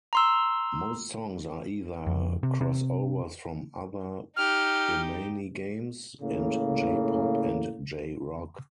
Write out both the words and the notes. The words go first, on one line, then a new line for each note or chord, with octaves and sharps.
Most songs are either crossovers from other Bemani games, and J-pop and J-Rock.
A#5 C6 E6
F2
C3
C3
D#4 G4 F6
A2 C#3 A#3